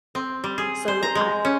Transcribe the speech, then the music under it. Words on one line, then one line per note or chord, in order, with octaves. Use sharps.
so I
C4
G3
G#4
C5
A#5
G#3
C#4